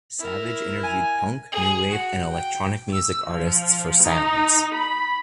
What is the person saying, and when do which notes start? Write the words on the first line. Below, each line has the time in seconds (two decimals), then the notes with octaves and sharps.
Savage interviewed punk, new wave and electronic music artists for "Sounds".
0.19 E4 A#4
0.83 G#5
1.52 G#4
1.91 F#4
2.32 G5
2.93 E6
3.27 F3
4.03 D#4
4.75 B5